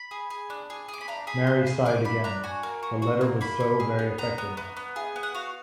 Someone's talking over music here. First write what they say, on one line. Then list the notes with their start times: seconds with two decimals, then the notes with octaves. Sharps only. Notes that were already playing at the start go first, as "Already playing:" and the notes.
Mary sighed again — the letter was so very affecting.
Already playing: B5
0.11 G#4
0.30 G#4
0.50 D4
0.70 G#4
0.88 G#4
0.93 D6
1.01 B5
1.08 D4 A#5
1.27 G#4 B5
1.47 G#4
1.67 G#4
1.85 G#4 D6
2.05 D4 B5
2.24 D4 A#5
2.44 F#4 G#5
2.63 A#3
2.83 F#4
3.02 F#4
3.21 A#3
3.41 A#3 B5
3.60 A#3
3.80 G#4
3.99 B3
4.18 B3 A#5
4.38 B3
4.57 B3
4.77 B3
4.96 G#4
5.16 B3
5.23 F#5
5.35 F#4 F5